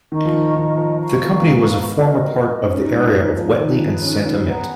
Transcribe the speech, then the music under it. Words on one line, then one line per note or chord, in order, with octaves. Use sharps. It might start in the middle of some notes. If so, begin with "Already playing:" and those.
The company was a former part of the area of Wetly and Santa Mint.
D#3 A#4 D#5 A#5 C#6
F3
D#3
D#3
F3
B4 F5 A#5 C#6
G#3
B3
F#4 A#4 D#5
C#4 D#4 G#4 B4
G#3
A#3
G#3
F3
D#3 D#4 G#4 B4
F3
D#3
C#4
C#4
B3 G#4 B4 F#5 A#5